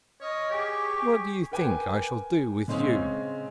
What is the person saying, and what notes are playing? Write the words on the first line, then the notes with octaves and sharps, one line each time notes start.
What do you think I shall do with you?'
C#5 D#5 D#6 F6
G4 G#4 C#6
A#4 B4 G5 G#5 D6
C#3 G#3 C4 C#4 G#4